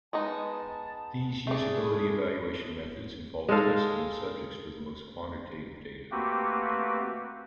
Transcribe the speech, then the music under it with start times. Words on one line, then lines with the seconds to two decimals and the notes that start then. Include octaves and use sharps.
These usability evaluation methods involve testing of subjects for the most quantitative data.
0.13 G#3 B3 D#4 A5
1.47 A3 D4 G#4
3.49 G#3 D#4 A4 F5
6.12 A3 A#3 C4 F#4 G4 B4